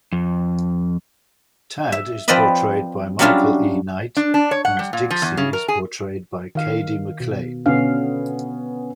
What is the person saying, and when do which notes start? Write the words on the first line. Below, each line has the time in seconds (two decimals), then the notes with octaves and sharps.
Tad is portrayed by Michael E. Knight, and Dixie is portrayed by Cady McClain.
0.12 F2
1.92 E5
2.28 F3 C4 B4 D5 D#5 B5
3.19 F#3 G3 C#4 D4 F4 E5
4.17 D4
4.34 D4
4.51 C#5
4.65 F#5
4.79 G3
4.93 A#2
5.10 F3
5.22 E2
5.37 C#3
5.53 A#4
5.68 G#4
6.55 D#3 F5
7.20 B2
7.66 B2 D3 B3 C#4 F5